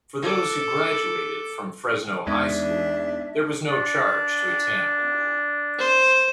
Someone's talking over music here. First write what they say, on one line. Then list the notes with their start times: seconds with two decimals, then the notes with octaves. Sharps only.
For those who graduated from Fresno High School, there was no charge to attend.
0.23 A4 D6
2.27 E2 G#3 B3 D4 D#4 E5
3.68 D4
5.78 C5